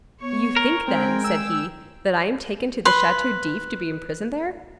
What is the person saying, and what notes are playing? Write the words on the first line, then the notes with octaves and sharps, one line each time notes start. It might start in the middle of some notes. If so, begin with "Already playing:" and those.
"You think, then," said he, "that I am taken to the Chateau d'If to be imprisoned there?"
B3 C#5 C#6
A#4
G#3 C4 G5 G#5
E6
B4 C6